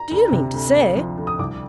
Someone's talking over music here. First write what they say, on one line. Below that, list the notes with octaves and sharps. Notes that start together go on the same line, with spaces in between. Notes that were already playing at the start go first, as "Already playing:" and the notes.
Do you mean to say--?'
Already playing: A#5
D2
C3
D2
D2
F3
D2
D#6
C2 D6